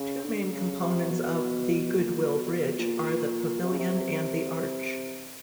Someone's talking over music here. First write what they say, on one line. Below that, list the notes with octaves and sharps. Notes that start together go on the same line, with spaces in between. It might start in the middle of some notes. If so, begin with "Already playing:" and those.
Two main components of The Goodwill Bridge are the pavilion and the arch.
Already playing: C#3
D3
C#3
C3
B2
A#2
B2
A#2
C3
C#3
C3